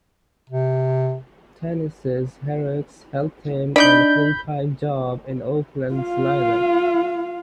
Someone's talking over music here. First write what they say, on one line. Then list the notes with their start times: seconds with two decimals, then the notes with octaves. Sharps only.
Tenace's heroics helped him earn a full-time job in Oakland's lineup.
0.50 C3
3.76 D4 D#4 D5 B5 G6
5.94 F4 F5